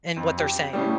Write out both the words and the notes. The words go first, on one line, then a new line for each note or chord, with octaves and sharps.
and what they're saying.
F2
G4
A2 C#3 G3